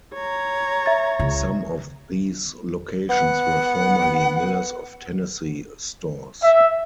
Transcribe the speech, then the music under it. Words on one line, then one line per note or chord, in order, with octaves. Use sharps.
Some of these locations were formerly Miller's of Tennessee stores.
C#5 A#5
E5 A6
C#2
B3 F#5
E5